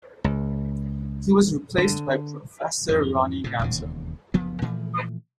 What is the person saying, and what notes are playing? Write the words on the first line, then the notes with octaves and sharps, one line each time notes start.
He was replaced by Prof. Roni Gamzo.
C#2
D3
F2 G#2 E3
A2 C3
E1 D#2 C#3
F#1 D2 F3 B3
A#2 E3 F3 A3